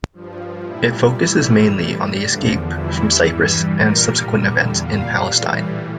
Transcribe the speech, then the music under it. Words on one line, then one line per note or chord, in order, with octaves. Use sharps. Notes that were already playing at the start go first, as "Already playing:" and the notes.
It focuses mainly on the escape from Cyprus and subsequent events in Palestine.
G2 F3
A#2 G3 E4
A2 E3 G3 E4
A2 G3
E2 D3 F3 D4
E2 E3 G3 E4
G2 E3 G3
A#2 G3 A#4
E2 D3 G3
A#2 G3 F5
A2 E3 G3